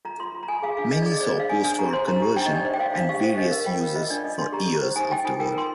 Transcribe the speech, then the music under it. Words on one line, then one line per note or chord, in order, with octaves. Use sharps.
Many saw postwar conversion and various uses for years afterward.
F4 A#5
F4 C6
F4
A#5
F4 G#5
G#4 F5
D4 F5
D4 D#5
G#4 D5
D#5
C5 D5
D#5
D4 F5
D4 G#5
D4 G#5
G4 A#5
C5 C6
D#4 A#5
G4 A#5
D4 G5
D#5
D4 D5
C5 D#5
G5
C5 F5
D4 F5
G4 F5
C5 F5
D4 D#5
A#4 F5
F4 G5
A#4
F4 D#5
D4 D5
D4 D#5
D4 C6
G4 A#5
G4
C5
D#4 G#5
D#4 G5
F4 G#5
A#4 G5
A#4 C6